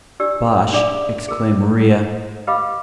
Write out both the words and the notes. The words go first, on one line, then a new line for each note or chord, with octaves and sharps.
"Bosh!" exclaimed Maria.
D4 G4 D5 E6
D4 G#4 D5 E5 F5
G#4 A#4
G4 B4 D#5 F5 B5 D6